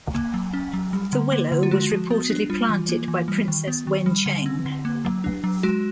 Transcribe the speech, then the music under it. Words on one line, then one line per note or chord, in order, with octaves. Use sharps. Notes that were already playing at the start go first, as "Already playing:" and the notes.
The willow was reportedly planted by Princess Wencheng.
A#3
F#3
C#4
F#3
G3
D3
A#3
D3
F4
G#3 F#4
F3
B3
D4
G3 F4
E3
A#3
E3
G3
D#3
B3
D#3
G3
D3
C4
D3
A#3
F#3
D4
F#3
G#3 F#4